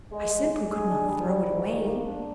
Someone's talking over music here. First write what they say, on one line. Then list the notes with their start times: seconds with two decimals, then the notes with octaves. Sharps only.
I simply could not throw it away.
0.12 G#3
0.31 G#3
0.50 G#3
0.70 G#4
0.89 D4
1.09 G3
1.28 G3
1.48 G#2
1.67 D#3
1.87 A#3
2.06 D4